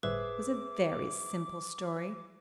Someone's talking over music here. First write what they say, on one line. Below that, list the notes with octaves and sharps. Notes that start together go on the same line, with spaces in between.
It was a very simple story.
G1 A2 G3 G#4 B4 C5 E5 D6